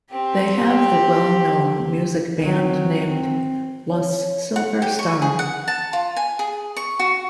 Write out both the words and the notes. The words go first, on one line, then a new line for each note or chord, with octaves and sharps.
They have the well known music band named "Los Silver Star".
C4 G4
F#3 C4
C4
C#5
F#5
G4
C#6
G#4
F#5
A5
F4
G#5
G#4
C#6
F#4